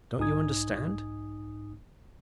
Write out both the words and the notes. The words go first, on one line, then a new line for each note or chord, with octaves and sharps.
Don't you understand?
B1 G#2 D#4 G#5 D#6 G#6